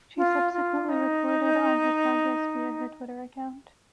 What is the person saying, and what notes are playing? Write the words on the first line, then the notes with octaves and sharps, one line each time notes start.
She subsequently reported on her progress via her Twitter account.
F4
F4
D#4